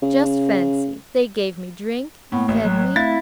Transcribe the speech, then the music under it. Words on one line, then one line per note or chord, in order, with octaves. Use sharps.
Just fancy, they gave me drink, fed me!
C#3
A2 A#3 B3
A1 A3
F#3 F#6
A3 C4 E4 F5 A6